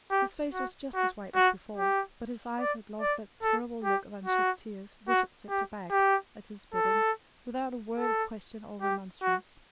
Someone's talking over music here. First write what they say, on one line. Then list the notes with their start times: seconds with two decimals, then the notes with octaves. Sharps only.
His face was just as white as before, but his eyes had lost that terrible look of unshed tears, which had sent her back, at his bidding, without a word of question or remonstrance.
0.11 G4
0.53 F#4
0.95 F#4
1.36 F#4
1.77 G4
2.60 D5
3.01 D5
3.43 A4
3.84 G4
4.26 F#4
5.09 F#4
5.50 G4
5.91 G4
6.74 A4
7.99 A4
8.82 G4
9.23 F#4